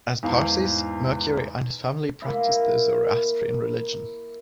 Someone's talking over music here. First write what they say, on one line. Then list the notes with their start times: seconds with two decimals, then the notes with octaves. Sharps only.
As Parsis, Mercury and his family practised the Zoroastrian religion.
0.23 E2 G#2 F5
2.22 A#3 E4